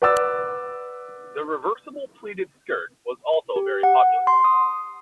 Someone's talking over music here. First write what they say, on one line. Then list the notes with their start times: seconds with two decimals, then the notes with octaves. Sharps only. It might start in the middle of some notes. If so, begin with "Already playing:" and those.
The reversible pleated skirt was also very popular.
0.02 B4 D5 F#5 D6 E6 A6
3.56 G4
3.83 F#5
4.27 C6
4.44 D#6